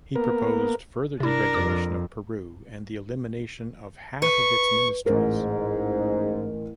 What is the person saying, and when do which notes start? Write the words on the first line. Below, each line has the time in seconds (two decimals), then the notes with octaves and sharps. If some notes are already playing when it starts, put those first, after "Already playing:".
He proposed further deregulation of Peru and the elimination of half of its ministries.
0.16 A#3 B3 A#4
1.20 C3 D4 E4 A#4
1.54 F2 D6
4.22 B4 C#6
5.06 A1 G#2 A#4